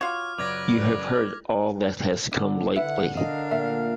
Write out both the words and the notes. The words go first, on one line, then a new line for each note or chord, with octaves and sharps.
You have heard all that has come lately.
F4 F#4 C#5 D6 F6
F#2 C#3 F#3 B4 D5 D6 G#6 A#6
D3 D4
D3 E4 B4 E5 F#5
D4 A#4 D#5 F5
A#2 E5